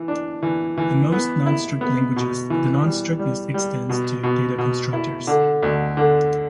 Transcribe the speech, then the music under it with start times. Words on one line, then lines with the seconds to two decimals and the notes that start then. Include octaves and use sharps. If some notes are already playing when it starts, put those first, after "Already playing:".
In most non-strict languages the non-strictness extends to data constructors.
Already playing: E3
0.08 D4
0.43 E3
0.78 E3
1.12 B3
1.46 E4
1.81 B3
2.16 B2
2.50 E3
2.85 G3
3.19 G3
3.54 G3
3.89 B2
4.23 B2
4.58 B2
4.93 E4
5.27 D3
5.63 D2
5.97 D3